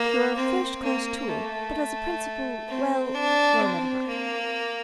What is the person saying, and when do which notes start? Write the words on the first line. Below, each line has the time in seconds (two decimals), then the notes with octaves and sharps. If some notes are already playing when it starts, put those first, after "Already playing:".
You are a first-class tool, but as a principal--well--well, never mind.
Already playing: A#3
0.37 C4
0.83 A#3
1.29 A3
2.68 C4
3.14 D4
3.61 C4
4.07 A#3